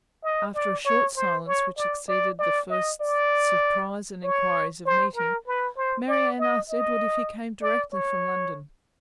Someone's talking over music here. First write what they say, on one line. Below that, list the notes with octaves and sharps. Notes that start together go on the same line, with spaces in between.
After a short silence which succeeded the first surprise and enquiries of meeting, Marianne asked Edward if he came directly from London.
D#5
D5
C#5
C5
C#5
D5
D5
D5
D#5
D5
C#5
C5
A#4
B4
C5
D5
D#5
D#5
D5
C#5